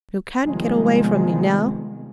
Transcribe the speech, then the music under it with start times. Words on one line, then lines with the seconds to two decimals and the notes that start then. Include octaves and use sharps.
You can't get away from me now.
0.46 C3 D#3 F3 G3 G#3 B3